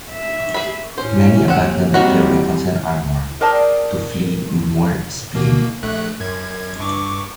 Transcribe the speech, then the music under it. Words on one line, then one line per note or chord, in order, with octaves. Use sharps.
Many abandoned their weapons and armor to flee with more speed.
E5
G#4 B5
A2 C#4 C5
D#2 C4 F#5
D#3 G3 C4 F#4
G#4 A#4 C5 D5 G5 A5
B2 A#3
A#1 A3 F#6
F#2 G#6
G2 C#6 D6